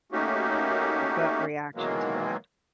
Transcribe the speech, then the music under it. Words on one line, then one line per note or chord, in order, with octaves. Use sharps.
gut reaction to that?
A3 A#3 C#4 D#4 F#4 G4
B2 D#3 E3 F#3 G#3 A#3